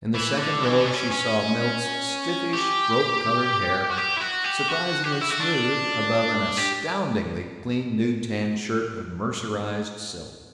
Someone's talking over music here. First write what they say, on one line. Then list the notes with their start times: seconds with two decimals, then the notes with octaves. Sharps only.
In the second row she saw Milt's stiffish, rope-colored hair--surprisingly smooth above an astoundingly clean new tan shirt of mercerized silk.
0.15 E3
0.39 D3
0.63 E3
0.81 B3
0.87 C#4
1.11 C#4
2.53 G4
3.90 F#4
3.97 G4
4.16 E4
4.20 F#4
4.44 G4
4.68 F#4
5.04 G4
5.12 F#4
5.21 E4
5.30 F#4
5.40 D4
6.58 G4